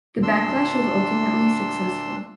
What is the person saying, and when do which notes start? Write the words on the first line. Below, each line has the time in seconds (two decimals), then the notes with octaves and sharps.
The backlash was ultimately successful.
0.23 D2 A#2 D4 C6 E6